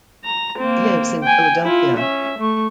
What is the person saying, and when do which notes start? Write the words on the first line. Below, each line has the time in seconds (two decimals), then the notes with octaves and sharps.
He lives in Philadelphia.
0.24 A#5
0.59 A#3 C4
1.23 G5 G#5
1.62 E4 F4
1.97 C#4 E5
2.39 A3 C#6